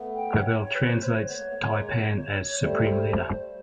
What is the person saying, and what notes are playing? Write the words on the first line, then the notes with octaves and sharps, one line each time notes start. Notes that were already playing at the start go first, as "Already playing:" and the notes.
Clavell translates Tai-Pan as "Supreme Leader".
Already playing: A3 B3
G5
C#5
C#5
B4
C5
C#5
A3 B3 C#5
G#3 A#3
A3 B3
G#3 A#3
C#5
G3 A3 C5